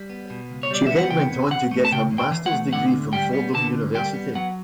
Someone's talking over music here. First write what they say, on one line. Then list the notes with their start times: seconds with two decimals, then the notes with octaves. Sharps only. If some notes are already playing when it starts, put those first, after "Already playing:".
She then went on to get her Master’s degree from Fordham University.
Already playing: G3
0.10 B3
0.30 B2
0.50 C#2
0.63 C#5
0.71 G3 D5
0.87 B3 E5
0.98 F#5
1.10 C#3 G5
1.31 E2
1.51 E3 F#5
1.71 A3
1.85 A5
1.91 C#3 G5
2.12 E2
2.18 G5
2.32 E3
2.46 F#5
2.53 A3
2.73 D3 F#5
2.94 D2
3.13 G3 G5
3.33 B3
3.54 D3 A5
3.74 D2
3.94 G3 G5
4.14 B3
4.35 F#3 F#5